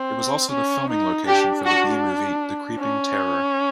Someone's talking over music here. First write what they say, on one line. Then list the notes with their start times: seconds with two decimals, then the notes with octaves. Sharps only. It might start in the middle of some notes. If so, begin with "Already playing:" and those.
It was also the filming location for the B-movie "The Creeping Terror".
Already playing: C4
0.51 C#4
0.90 D#4
1.27 D4 G4
1.66 F#4
2.79 C#4